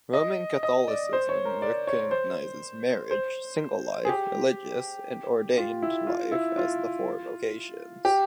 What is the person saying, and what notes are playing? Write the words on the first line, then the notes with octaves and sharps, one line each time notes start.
Roman Catholicism recognizes marriage, single life, religious, and ordained life as the four vocations.
D#5
D#5
D5
C5
C#5
A#4
D5
C#5
C5
C5
G#4
G4
F4
E4
F4
E4
F4
G4